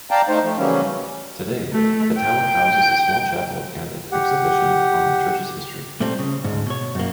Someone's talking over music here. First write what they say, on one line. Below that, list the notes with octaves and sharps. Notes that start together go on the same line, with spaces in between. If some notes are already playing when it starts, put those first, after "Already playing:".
Today, the tower houses a small chapel and an exhibition on the church's history.
D5 F5 G5 A5 A#5
A3 D#4 C5
F3 A3
C#3 E3 F#3 G3 A#3 C#4
A3
G5
G4 F#5
A#2 G3 A3 C4
C#3
D2 G#2
B2 C#5
F#2 A#3